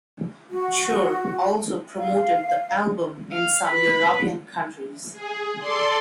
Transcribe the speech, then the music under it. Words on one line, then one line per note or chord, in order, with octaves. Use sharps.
Cher also promoted the album in some European countries.
F#4
F5
F5
B4 B5
G#4
A4 D5 C6